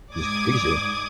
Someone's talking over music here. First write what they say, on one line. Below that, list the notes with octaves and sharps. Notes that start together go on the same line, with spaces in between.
it was crazy.
G#2 D5 D6 D#6 G#6